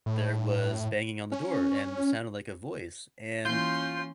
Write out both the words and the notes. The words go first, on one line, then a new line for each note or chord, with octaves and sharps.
there was banging on the door and it sounded like a voice, and
A2
C#4
E3 A#3 C#4 E4 F4 C6 G6